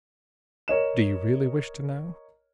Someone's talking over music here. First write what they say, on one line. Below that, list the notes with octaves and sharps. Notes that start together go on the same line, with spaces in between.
"Do you really wish to know?"
A#4 C#5 D#5 E7